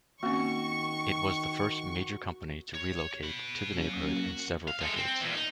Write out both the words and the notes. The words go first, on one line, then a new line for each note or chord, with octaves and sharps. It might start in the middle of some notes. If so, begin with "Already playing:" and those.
It was the first major company to relocate to the neighborhood in several decades.
D#3 A#3 C4 C#4 F#4 C#6
C#5
F#4 B5
F#3 A#3 C#4
F5
G#3 A4
C4
E2 A#2
D#4